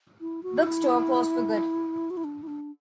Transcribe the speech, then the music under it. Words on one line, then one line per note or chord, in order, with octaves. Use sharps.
Bookstore closed for good.
E4
F#4
E4
F#4
E4
D4
E4
D4